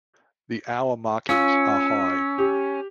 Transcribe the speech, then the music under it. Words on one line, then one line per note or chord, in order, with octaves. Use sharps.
The hour markings are high.
C#4 F4 E6
G4